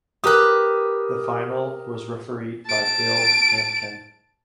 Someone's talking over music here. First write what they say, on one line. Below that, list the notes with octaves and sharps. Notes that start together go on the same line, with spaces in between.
The final was refereed by Bill Camkin.
G4 A#4 B4 D#6
A5 D7